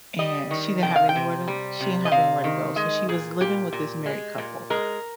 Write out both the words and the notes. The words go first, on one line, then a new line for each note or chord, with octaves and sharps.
and she didn't have anywhere to she didn't have anywhere to go. So, she was living with this married couple
G3 D#5
D#3
C3 G5
F5
G5
C3
G3
C3
D#5
C3 F5
D#3
G#3 D#5
A#2 G#4
A#2 G4
A#2
G#3
A#2
G#3 A#4